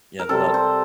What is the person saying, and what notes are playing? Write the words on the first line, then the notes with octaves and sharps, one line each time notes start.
Yeah, th that
A#4
C3 G3 A4
C5